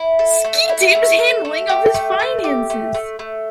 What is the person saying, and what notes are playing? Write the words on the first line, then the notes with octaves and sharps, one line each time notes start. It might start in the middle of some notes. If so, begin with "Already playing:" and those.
Ski Team's handling of his finances.
Already playing: E4
A4
A3
E4
A3
A4
A3
G4
A3
A3
G4
A3
A3
A3